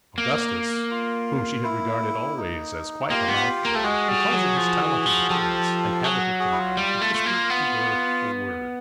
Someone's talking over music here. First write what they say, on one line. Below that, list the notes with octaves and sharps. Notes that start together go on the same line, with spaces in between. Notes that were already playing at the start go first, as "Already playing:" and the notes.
Augustus, whom she had regarded always as quite a Mountjoy, because of his talent, and appearance, and habit of command, had whispered to her a word.
A#3
F4
E4
D#4
A#3 F4 G4
B3
A#3 A#4
A3 A4
G#3 F#4 G#4
G3
F#3
F3
E3
F3
F3 G4 A4
F#3 F#4 G#4
F#4 G#4
E4
F4
G3
A3
A3
A#3
B3